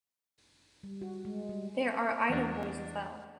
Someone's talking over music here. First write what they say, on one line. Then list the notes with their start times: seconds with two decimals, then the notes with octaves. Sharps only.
There are item boys as well.
0.83 G3
1.01 F#4
1.25 G#3
1.49 G3
2.29 E2 D4